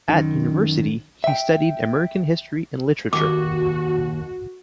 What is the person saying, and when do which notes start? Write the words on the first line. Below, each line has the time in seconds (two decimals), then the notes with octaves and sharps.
At university, he studied American history and literature.
0.09 F#2 D#3
1.24 E5 G5
3.13 D#2 F#4 D6